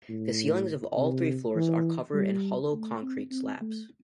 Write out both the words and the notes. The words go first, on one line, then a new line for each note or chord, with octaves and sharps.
The ceilings of all three floors are covered in hollow concrete slabs.
A2
C3
E3
G3
A3
C4
C4
A3